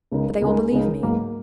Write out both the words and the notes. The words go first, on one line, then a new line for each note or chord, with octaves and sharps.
But they will believe me.
C#2 C#3 G#3 D#4 A#4
C#2 C#3 G#3 D#4 A#4
C#2 C#3 G#3 D#4 A#4
G#2 F#3 A#3